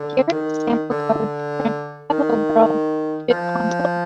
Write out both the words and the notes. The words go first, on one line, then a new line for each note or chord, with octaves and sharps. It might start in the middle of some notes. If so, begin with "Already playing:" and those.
Here is sample code to print "hello, world" to the console.
Already playing: D3
D#3
D3
D#3
F3